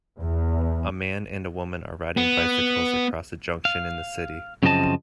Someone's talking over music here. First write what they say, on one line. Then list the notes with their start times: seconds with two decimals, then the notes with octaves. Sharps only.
A man and woman are riding bicycles across a junction in the city.
0.17 E2
2.17 B3
3.65 F5
4.63 F#2 C#3 F3 C4 D#5 A5